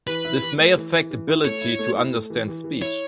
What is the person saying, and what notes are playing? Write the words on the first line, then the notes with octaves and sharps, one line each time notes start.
This may affect ability to understand speech.
E3 B4
E4
E3
A3
E3
E3
E3
E4
A3 C#5
E4
A3
E4
A3
E3
E3
E3
E4 C#5